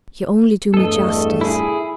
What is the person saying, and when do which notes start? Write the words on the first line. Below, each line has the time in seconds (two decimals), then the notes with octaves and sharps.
'You only do me justice.
0.74 E2 G2 A3 A4 D#5
1.41 E4 G#4